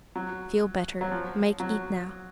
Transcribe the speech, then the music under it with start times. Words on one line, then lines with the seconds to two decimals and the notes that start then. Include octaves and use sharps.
"Feel better, make eat now."
0.16 F#3
1.01 F#3
1.12 F3
1.60 F#3